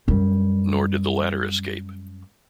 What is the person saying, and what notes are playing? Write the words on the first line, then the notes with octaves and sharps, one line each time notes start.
Nor did the latter escape.
F#2 G3